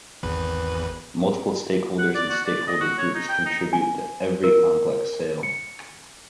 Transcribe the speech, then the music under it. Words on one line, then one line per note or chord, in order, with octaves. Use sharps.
Multiple stakeholders and stakeholder groups contribute to every complex sale.
G#1 E2 B4
F#5
D5
F#4
D5
D#5
F#4
C#5
D#4
G5
D#4
G#5
A#4
C#7